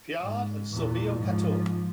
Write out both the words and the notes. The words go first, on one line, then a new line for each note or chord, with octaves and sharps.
Theard and Silvio Cator.
G#2
E2 A#2
G#2 F3